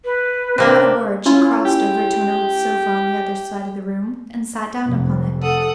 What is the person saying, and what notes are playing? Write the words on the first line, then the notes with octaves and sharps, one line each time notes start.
Without a word she crossed over to an old sofa on the other side of the room, and sat down upon it.
B4
C3 A#3 D4
C#4 E4 F4
G4
F1 F2
A4 F#5 D#6